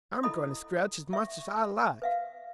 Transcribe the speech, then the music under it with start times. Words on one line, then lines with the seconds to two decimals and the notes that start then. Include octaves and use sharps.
"I'm going to scratch as much as I like!"
0.23 E4 A4 D#5 B5 D#6
1.13 E5 C#6
2.02 B4 E5 F5